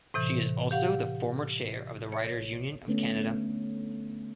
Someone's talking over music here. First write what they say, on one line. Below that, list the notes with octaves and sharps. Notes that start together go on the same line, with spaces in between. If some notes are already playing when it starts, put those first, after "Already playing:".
She is also the former chair of the Writers' Union of Canada.
A2 C3 E3
G4 F5 F#5
C#5
D3 A3 B3 C#4